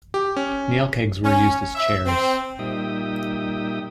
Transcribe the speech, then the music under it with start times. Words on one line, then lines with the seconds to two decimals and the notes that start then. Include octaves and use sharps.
Nail kegs were used as chairs.
0.14 G4
0.36 C#4
1.24 C#4
1.75 E5
2.06 C4
2.59 A#2 G3 D#4 E5 G5 D#6